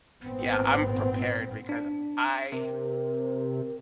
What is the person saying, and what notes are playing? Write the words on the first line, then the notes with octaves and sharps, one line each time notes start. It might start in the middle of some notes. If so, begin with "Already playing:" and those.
Yeah, I'm prepared because I
G#1 A#2 B3 C4
D4
C3 A#4